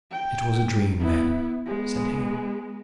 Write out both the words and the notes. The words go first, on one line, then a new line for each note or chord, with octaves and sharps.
'It was a dream, then,' said he.
G5
B3 E4
G#3 B3